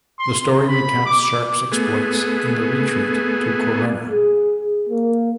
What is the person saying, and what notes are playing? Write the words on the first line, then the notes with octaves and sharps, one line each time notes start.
The story recounts Sharpe's exploits in the retreat to Corunna.
C6
B5
D6
A3 B3 G#4
G#4
A#3